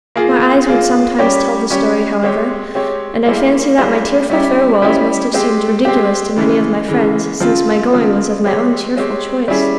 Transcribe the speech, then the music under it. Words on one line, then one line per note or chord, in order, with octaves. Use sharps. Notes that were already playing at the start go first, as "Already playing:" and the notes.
My eyes would sometimes tell the story, however, and I fancy that my tearful farewells must have seemed ridiculous to many of my friends, since my going was of my own cheerful choice.
A#3 F4 G#4
A#3 F4 G#4
G3 C#4 G4 C#5
G3 C#4 G4 C#5
G#3 C4 G4 C#5
G#3 C4 G4 C#5
G3 A#3 E4 G#4 C5
G3 A#3 E4 G#4 C5
G3 C#4 E4 G4
G3 C#4 E4 G4
G#3 C4 G4
G#3 C4 G4
C#3 E3 G#3
C#3 E3 G#3
C#3 F3 C4 F4
C#3 F3 C4 F4
G#3 C4 G4 C#5
G#3 C4 G4 C#5
G3 C#4 E4 G#4